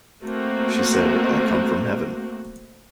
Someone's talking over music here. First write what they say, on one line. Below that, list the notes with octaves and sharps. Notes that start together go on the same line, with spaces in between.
She said: "I come from Heaven".
A3 A#3 C4 F#4